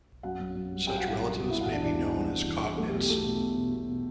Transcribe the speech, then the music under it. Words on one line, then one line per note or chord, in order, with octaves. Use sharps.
Such relatives may be known as cognates.
F#2 F#4 F#5
F#2
F#2
G3
C4 G4 G5
F#4 F#5
G3
F#4 F#5
F#2
G3
G3 E4 E5
F#4 F#5
E2
D4 D5
E2 D4 D5
C3
G3
E2
E2
E2
F#3 A3 A4
G4
B2
G4
A3 B3 A4
B2
B3
B2
B2
B2